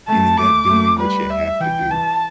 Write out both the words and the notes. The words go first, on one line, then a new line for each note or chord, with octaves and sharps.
And in that doing what you have to do,
A3 A5
A3 D6
A3
G3 B4
E5
E3 G5
E3 A5